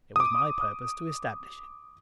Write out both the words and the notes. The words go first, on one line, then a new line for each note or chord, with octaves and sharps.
It was my purpose to establish it.
D6 D#6